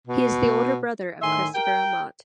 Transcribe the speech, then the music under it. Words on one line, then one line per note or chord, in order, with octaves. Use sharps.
He is the older brother of Christopher Amott.
B2
A2 D#3 E5 G#5 C6
A#4 G5